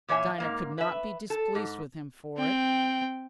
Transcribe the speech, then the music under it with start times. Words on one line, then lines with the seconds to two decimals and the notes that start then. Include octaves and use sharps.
Dinah could not be displeased with him for it.
0.08 A#2 E3 C#5 E5 G#5
0.38 G#2 A#3 F5
0.78 B4 E5
1.30 A4
1.55 G#2
2.38 C4 G5